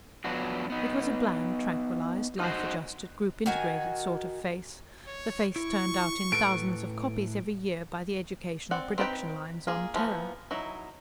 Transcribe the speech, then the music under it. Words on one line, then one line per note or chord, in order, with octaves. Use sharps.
It was a bland, tranquilized, life-adjusted, group-integrated sort of face--the face turned out in thousands of copies every year by the educational production lines on Terra.
F3 F#3 B3 D4 F#4
B3 D#4
D#4 F#4 C5
D#3 F#4 G#5
C#5
E4 C#6
A2 A4 B4 D7
C4 D5 F#5
C4 D#4 G4 B4 G5
A#3 F4 G#4
E3 F3 A#3 B3
F#3 D#4 E4